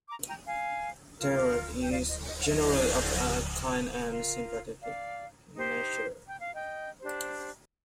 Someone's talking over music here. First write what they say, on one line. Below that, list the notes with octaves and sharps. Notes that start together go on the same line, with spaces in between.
Tarot is generally of a kind and sympathetic nature.
A#5 D6
G5 A#5
F5 G#5
F4 A#4
G5
D5 F5
D#5
D#5
D#5
D4 G#4 C5
F4 A#4
D5 F5
D#4 G4 C5
G5
F5
D#5 G5
D4 G4 C5